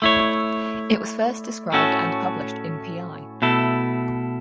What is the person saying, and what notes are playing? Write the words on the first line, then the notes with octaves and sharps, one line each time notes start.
It was first described and published in Pl.
A3 E4 C#5
A2 A3 C#4 F#4 A4
B2 A3 E4 A4